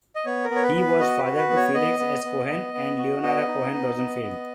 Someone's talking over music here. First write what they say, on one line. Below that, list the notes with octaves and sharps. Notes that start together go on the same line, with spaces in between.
He was father to Felix S. Cohen and Leonora Cohen Rosenfield.
D#5
B3 C#5
A#4
B3
C#5
B4
B3
B4
F#4 D#5
B4
F#4
B4
B3
C#5
B3 D#5
B3
B3
B3
B3
F#4
B3 D#5
D#4
B3
B3
B3